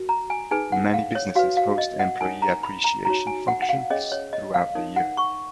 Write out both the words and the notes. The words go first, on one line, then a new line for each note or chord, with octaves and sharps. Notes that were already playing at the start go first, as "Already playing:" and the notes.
Many businesses host employee appreciation functions throughout the year.
Already playing: F#4 A#4
A#5
G#5
D#4 G#4 B4 G#5
F#5
F5
C#5
F#4 B4 F5
F5
D#5
F#5
D#4 A#4 C#5 G#5
A#5
B5
A#5
D#4 F#4 C#5 A#5
G#5
F#5
F#5
F5
C#4 G#4 C#5 D#5
C#5
D#5
F5
D#4 A#4 C#5
F#5
C#6